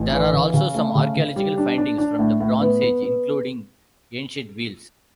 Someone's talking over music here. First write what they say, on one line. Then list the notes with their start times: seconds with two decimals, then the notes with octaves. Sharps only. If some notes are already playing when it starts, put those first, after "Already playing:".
There are also some archaeological findings from the Bronze Age, including ancient wheels.
Already playing: A1
0.13 E3
0.33 C#3
0.54 C#3
0.75 A3
0.95 C#3
1.16 C#3
1.36 G3
1.58 D4
1.78 D4
1.98 D4
2.19 A2
2.41 A2
2.61 B3
2.82 B3
3.02 B3